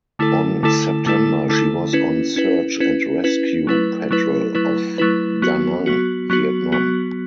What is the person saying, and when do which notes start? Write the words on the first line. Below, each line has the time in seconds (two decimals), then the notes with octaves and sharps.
On September she was on search and rescue patrol off Da Nang, Vietnam.
0.19 D3 A3 E4 A4
0.63 D3 A3 E4 A4
1.06 D3 A3 E4 A4
1.49 D3 A3 E4 A4
1.93 C#4 E4 B4
2.36 C#4 E4 B4
2.80 C#4 E4 B4
3.24 C#4 E4 B4
3.67 F#3 A3 E4 B4
4.11 F#3 A3 E4 B4
4.55 F#3 A3 E4 B4
4.98 F#3 A3 E4 B4
5.42 F#3 B3 F#4
5.86 F#3 B3 F#4
6.30 F#3 B3 F#4
6.72 F#3 B3 F#4